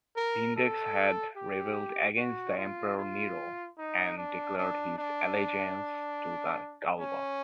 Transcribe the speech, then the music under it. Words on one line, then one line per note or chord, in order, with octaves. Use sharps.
Vindex had rebelled against the Emperor Nero and declared his allegiance to Galba.
A#4
A4
G4
F#4
F4
F4
D#4
D4
D4
D4
C#4